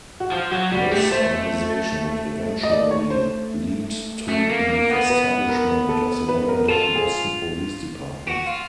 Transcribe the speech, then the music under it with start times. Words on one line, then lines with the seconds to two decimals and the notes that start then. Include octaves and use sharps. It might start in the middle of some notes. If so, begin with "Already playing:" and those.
This organization would eventually lead to the establishment of the modern-day Boston Police Department.
0.20 F#4
0.32 F3 F4
0.51 F#3 F#4
0.72 G3 F#4
0.91 A3 G4
1.11 A3 C5
2.63 D#5
2.71 D5
2.91 C#5
3.10 C5
4.29 A3
4.50 A#3
4.70 A#3
4.90 B3
5.10 B4
5.49 A#4
5.89 A4
6.28 B4
6.48 A#4
6.68 F4 A4
6.95 G#4
8.27 F#4
8.47 F4